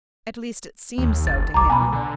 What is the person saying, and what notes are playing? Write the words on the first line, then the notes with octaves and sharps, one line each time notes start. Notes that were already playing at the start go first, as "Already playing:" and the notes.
At least, it seemed so to him.
D#2
F#1 A6
C2 A#5 D6
B2 G#5 B5
D3